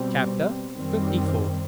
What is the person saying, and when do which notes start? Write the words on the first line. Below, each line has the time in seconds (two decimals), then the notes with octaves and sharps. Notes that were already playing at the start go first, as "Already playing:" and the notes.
Chapter LIV.
Already playing: B2 G3 C4
0.76 F#2 D#3 G3 C4